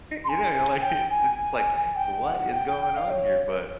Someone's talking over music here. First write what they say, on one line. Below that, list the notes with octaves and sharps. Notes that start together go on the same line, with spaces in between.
You know, you're, like, it's just like, what is going on here, but,
C6
G#5
G5
G#5
G5
F#5
G5
G5
G5
F5
C#5